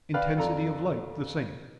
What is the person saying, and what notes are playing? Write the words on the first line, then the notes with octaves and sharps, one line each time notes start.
Intensity of light the same.
B4 D5 F5 G5
F2 A4 D5 A#5